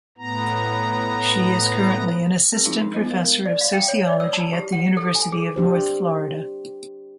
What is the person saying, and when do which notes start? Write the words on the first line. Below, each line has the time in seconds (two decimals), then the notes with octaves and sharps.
She is currently an Assistant Professor of Sociology at the University of North Florida.
0.18 A2 B3 A#5
2.52 C4 G#4 A#4
2.65 F3 G#3 C4 D4 D#4 F4
2.79 D4 C6
2.94 B3 F4 C5 D#5
3.10 A#4 F5
3.24 A#4
3.46 D5
3.61 F5
3.73 G5
3.88 C#5
4.07 D5
4.20 E6
4.33 A5
4.53 G4
4.72 F#5
4.97 A4
5.15 G#5
5.32 G#4
5.56 D4 G4 C5